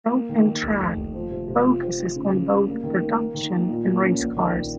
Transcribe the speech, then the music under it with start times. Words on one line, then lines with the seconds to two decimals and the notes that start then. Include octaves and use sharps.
"Road and Track" focuses on both production and race cars.
0.12 A#3
0.29 D#3
0.46 D#3
0.63 F1
0.80 F1
0.96 F1
1.14 F3
1.31 C3
1.48 C3
1.65 F4
1.82 C4
1.99 C4
2.16 C#3
2.33 C#3
2.50 G3
2.67 A#3
2.83 D#3
3.00 A#3
3.18 A#3
3.35 D#3
3.51 A#3
3.68 A#2
3.85 A#3
4.02 C#4
4.19 A#1
4.36 D#3
4.53 A#1